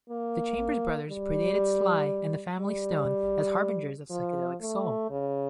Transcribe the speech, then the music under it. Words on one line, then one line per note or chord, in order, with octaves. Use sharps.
The Chambers Brothers predated Sly and the Family Stone as harbingers of psychedelic soul.
A#3
G3
G3
F3
A3
C#3